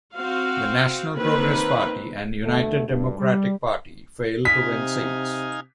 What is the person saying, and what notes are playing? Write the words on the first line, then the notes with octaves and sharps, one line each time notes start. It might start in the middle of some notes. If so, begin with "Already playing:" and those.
The National Progress Party and United Democratic Party failed to win seats.
C4 F#4 F5
D#3 A#3 C4 B4
D2 B2 A3
D2 G2
G3
C3 D#4 F5 G#5 B6